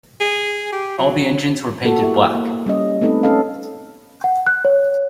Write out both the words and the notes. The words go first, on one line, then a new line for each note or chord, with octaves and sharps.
All the engines where painted black.
G#4
G4
F#3
A#3 B3 F#4 A4
E4 G4 A4 E5
A#3
G3 C#4 D#5
A3 B3 C4 D#4 A4 B4
C#4 A4 D#5 F5
F#5
F#6
C#5